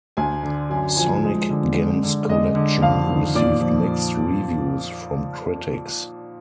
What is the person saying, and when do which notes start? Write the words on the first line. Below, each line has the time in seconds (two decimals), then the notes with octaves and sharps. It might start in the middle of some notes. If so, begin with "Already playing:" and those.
"Sonic Gems Collection" received mixed reviews from critics.
0.17 D2 G#5
0.43 D3
0.70 F#2 G#5
0.97 F3 G#5
1.24 G#3
1.50 D3
1.76 G#3
2.03 D3
2.29 G#3 D#5
2.55 D3
2.81 F2 F5
3.08 D#3
3.35 A#2 D5
3.61 F3